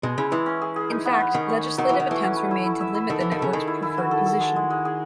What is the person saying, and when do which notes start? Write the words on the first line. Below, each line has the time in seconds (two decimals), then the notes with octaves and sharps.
In fact, legislative attempts were made to limit the network's preferred position.
0.03 B2 G#3
0.18 C#3 E4
0.32 E3 G#3
0.46 C#4
0.62 G#4
0.76 G#4
0.90 D#4
1.06 B3
1.20 B3
1.34 D#3 C#4
1.49 C#5
1.64 C#5
1.78 D#3 F#3
1.89 E3 F#3
2.00 D#3
2.07 E3 A3
2.22 C#4
2.36 B4
2.51 E4
2.66 E4
2.81 E5
2.94 E4
3.10 D#3 A4
3.20 E3 E4
3.32 D#3
3.39 C#3 A4
3.53 D#3 G#4
3.67 E4
3.82 E4
3.98 F#4
4.11 A4
4.26 A4
4.40 G#3
4.56 G#3
4.70 G#3
4.85 G#4